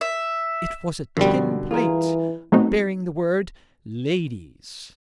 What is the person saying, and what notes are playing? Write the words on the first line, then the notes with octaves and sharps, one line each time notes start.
It was a tin plate bearing the word "LADIES."
E5
F#2 B2 D3 F3 G3 C#4
E3 F4 G#4 A#4
F#3 A3 B3 C4 D#4 F#4